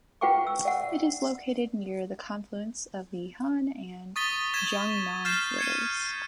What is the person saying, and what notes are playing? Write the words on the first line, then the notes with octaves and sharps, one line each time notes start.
It is located near the confluence of the Han and Jungnang Rivers.
F4 B4 F#5 G5 C#6 D6
E6
D5 F#5
C#6 D#6 A6 B6 D#7 G7
C#6 G#6 B6 E7 G7
F6 G6 A6 C7 E7
G#6 C#7 D#7